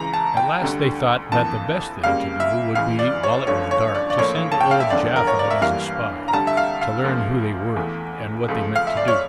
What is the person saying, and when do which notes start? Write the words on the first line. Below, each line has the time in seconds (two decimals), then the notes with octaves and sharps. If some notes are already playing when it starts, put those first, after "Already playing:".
At last they thought that the best thing to do would be, while it was dark, to send old Jaf out as a spy, to learn who they were, and what they meant to do.
Already playing: C#2 C#3 E3 A#5
0.14 A5
0.37 G5
0.61 D2 D3 G3
1.32 F2 E3 A#3 A5
2.03 C#2 C#3 G3 A#3 F5
2.40 E5
2.75 C#2 C#3 E3 F5
2.99 D5
3.23 C#5
3.47 G1 G2 F3 A3 C#5
3.71 C#5
3.95 D5
4.10 D5
4.18 A#1 A2 F3 A#3 C#5
4.52 A5
4.61 G5
4.71 F5
4.80 E5
4.90 E1 E2 D3 F3 D5
5.16 A#4
5.27 C#5
5.39 D5
5.50 E5
5.61 G1 G2 E3 G3 A#3 F5
6.28 A#5
6.33 D2 D3 G3 A5
6.47 E5
6.57 F5
6.81 F5
7.04 C#2 C#3 F3 A#3
7.76 E2 E3 A3
8.48 C#2 C#3 F3 A3
8.76 F5
8.87 E5
8.97 D5
9.08 C#5